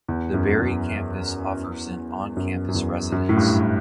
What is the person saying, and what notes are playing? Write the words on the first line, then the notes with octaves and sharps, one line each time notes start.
The Barrie Campus offers an on-campus residence.
E2
F#2
E2
F#2
F#2
E2
F#2
A2
G2
A2